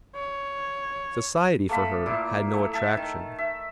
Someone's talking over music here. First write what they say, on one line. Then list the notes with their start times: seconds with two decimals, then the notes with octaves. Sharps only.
Society for her had no attractions.
0.15 C#5
1.69 A3 A#3 A4 B5
2.06 A#2 E4
2.54 A3
2.73 E5 A5
2.97 D#3
3.38 E5